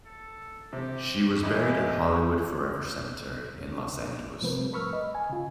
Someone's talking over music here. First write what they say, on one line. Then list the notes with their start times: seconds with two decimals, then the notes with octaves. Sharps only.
She was buried at Hollywood Forever Cemetery in Los Angeles.
0.05 A4
0.73 C3 G4
1.43 E3 E4 D#5 G#5
4.42 C3 F3 A3 C4 A#4 B4
4.61 G#2 G3
4.72 A#4 B4 B5 C#6 E6 F6
4.93 D#5
5.15 G#5
5.29 C#3 F4